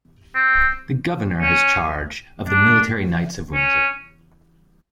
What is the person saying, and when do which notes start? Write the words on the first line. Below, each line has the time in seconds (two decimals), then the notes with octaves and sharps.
The Governor has charge of the Military Knights of Windsor.
0.35 C4
1.41 C#4
2.48 D4
3.54 C#4